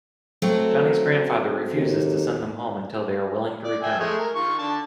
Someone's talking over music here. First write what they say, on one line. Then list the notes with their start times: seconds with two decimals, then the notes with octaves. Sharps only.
Johnny's grandfather refuses to send them home until they are willing to return.
0.42 F#3 A3 C4
1.75 D#2
3.64 D5
3.82 E5 G5 G#5
3.99 G#3 A3 G#4
4.18 A#4
4.35 D#3 F4 C#6
4.59 D3 A5